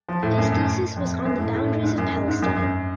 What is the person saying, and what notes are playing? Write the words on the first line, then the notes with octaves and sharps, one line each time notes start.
His thesis was on the boundaries of Palestine.
F3
A2
F#2
F#2
F2
F#2
A2
A2
G#2
F#2
F#2
G#2
F#2
F#2